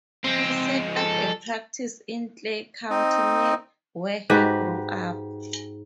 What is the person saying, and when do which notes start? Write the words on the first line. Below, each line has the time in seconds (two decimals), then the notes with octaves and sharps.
He set up a practice in Clay County near where he grew up.
0.24 F3 G#3 C4
0.97 A4
2.90 C4 D#4 D#5
4.30 G#2 F#4 G4 B4